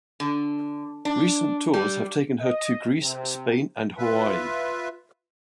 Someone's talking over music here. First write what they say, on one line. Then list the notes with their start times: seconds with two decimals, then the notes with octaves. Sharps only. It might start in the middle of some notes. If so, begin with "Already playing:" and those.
Recent tours have taken her to Greece, Spain and Hawaii.
0.20 D3
1.05 D4
1.74 G3
2.40 D#5
3.02 C3
3.98 F4 B4 E5